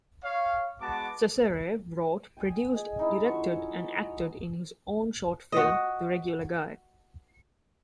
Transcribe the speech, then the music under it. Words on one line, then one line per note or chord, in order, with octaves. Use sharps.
Cecere wrote, produced, directed and acted in his own short film, "The Regular Guy".
C#5 F5
G#3 B3 F#4 A5 D6
G5 G#5 D#6
G#4 D#5
C#4 D#4 E4
F3 F#3 C#6
F#4 D#5